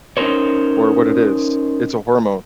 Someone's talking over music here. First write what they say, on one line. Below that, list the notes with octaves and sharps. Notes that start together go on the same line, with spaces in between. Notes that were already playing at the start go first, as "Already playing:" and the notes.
or what it is? It's a hormone.
C#4 D#4 G#4 A#4 C5 C#5